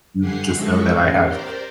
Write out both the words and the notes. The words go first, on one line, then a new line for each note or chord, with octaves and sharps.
You just know that I have
G2 D3 G4 F#5 G#5 C7
F3 G#3 E4 F#4 A4 C#6
E2 A2 C#4
G4 A#4 C5 D5